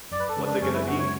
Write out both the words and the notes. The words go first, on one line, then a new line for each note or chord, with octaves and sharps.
What's It Gonna Be?!
F#2 D5
B4
A4
C#3 G#3
D4
F#2 C#4
E4
C#3 G#3 F#4
C#5